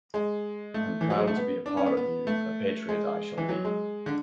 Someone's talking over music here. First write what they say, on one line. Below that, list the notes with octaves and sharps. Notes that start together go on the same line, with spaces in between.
I'm proud to be a part of you, a patriot I shall be.
G#3
A3
E3
F#3
G#3
A3
B3
D4
C#4
B3
B3
A3
G#3
E3
F#3
G#3
D3